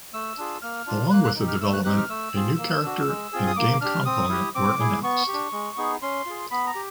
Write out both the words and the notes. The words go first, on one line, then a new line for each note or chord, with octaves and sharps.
Along with the development, a new character and game component were announced.
A3 E6
D4 F4 G#4
A#3 F6
D4 F4
A#3 F#6
F#6
D#4 G4
F6
A3 E6
F#6
C4 D#4 G4 F#6
F6
A3 E6
C4 F4 G#4
A#3
D4 F#4
G#3
C4 F4 G#4
D#6
A#3 D6
D4 G4 F6
C4 D#6
E4 G4
C4 D6
E4 G#4
B3 C#6
G4
D4
G#3
B3 D#4 G#4
C#4 C6
F4 G#4
B3 B5
A#5
G4